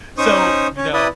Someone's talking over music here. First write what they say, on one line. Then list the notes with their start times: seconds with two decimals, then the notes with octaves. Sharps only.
so, you know,
0.18 C#4 D#4 C5 C#6 D#6
0.77 C#4 C#5
0.93 E4 B4 D5 D#6